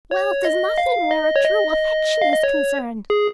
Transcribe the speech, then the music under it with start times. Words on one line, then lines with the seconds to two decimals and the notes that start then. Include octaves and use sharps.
Wealth is nothing where a true affection is concerned.
0.11 C#5
0.45 D#5
0.78 F5
1.11 D#5
1.36 C#5
1.44 D#5
2.22 F5
2.32 D#5
2.43 C#5
3.10 G#4